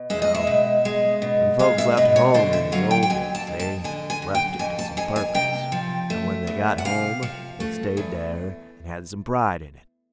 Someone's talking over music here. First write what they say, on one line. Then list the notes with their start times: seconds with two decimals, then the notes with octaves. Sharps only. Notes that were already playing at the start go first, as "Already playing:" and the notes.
No: when folks left home in the old days they left it to some purpose, and when they got home they stayed there and had some pride in it.
Already playing: B2
0.10 G#3 E5
0.22 D#5
0.34 E5
0.47 B2
0.85 G#3
1.22 B2
1.59 G#3 F5
1.78 E5
1.97 B2 D#5
2.16 C#5
2.34 D3 C5
2.53 E5
2.72 F#3 F5
2.91 G5
3.03 G5
3.10 F2 G#5
3.35 A5
3.47 F2
3.60 A5
3.84 D3 G#5
4.10 G#5
4.22 F#3
4.35 G5
4.59 F2 G#5
4.79 A5
4.97 F2 G#5
5.16 G#5
5.34 C3 G5
5.72 F3
6.10 A3
6.47 E2
6.78 F#5
6.85 C3 F5
7.23 F3
7.60 A3
7.97 E2